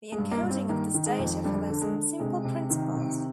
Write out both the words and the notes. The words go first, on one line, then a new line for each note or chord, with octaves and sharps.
The encoding of this data follows some simple principles.
G#3
G2
A#3
G2
C4
D#3 A#3
D#3
G#3
F2
D3 G3
D3
G#3
D3
C3 G#3
C3
D#3
C3